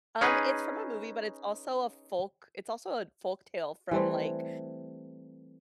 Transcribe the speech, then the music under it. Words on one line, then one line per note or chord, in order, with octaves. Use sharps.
Um, it's from a movie, but it's also a folk it's also a folk tale from like
C#4 D#4 G#4 B4
E3 G3 A3 C4